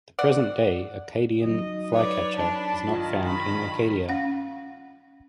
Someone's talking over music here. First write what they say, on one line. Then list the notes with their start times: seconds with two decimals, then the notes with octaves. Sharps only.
The present-day "Acadian flycatcher" is not found in Acadia.
0.19 D5 F#5
1.42 F#3 D#4 D#5
1.91 B4 C#5 D5
2.36 D4 A5 B5
2.88 G2 D#3 F4 D#5
3.24 B5
4.09 C#4 F5 F#5